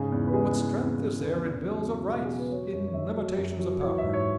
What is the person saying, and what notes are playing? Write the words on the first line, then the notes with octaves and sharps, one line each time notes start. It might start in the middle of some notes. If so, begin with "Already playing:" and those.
What strength is there in bills of rights--in limitations of power?
Already playing: G#2 C#3 G#4
E2
B4
G#3 G#4
E2
E2
C#3
E2 B4
E2
F#3
E2
B2
G#4
E2
B4
F#3 C#5
F#2 C#5
C#5
F#2 E5
F#3
F#2
F#3
E3 C#5
G#2 E5
C#5